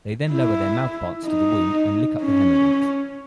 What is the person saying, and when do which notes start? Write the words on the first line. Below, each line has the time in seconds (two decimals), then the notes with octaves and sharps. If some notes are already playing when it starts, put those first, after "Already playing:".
They then lower their mouth parts to the wound and lick up the hemolymph.
0.32 E4
1.27 D#4
2.22 C#4